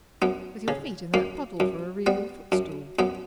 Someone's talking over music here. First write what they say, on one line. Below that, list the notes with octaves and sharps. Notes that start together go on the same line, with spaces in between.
'With your feet in that puddle for a regal footstool!
F#2 B3
C#3
F#2 A#3
F#2
G3 B3
F#2
F#2 B3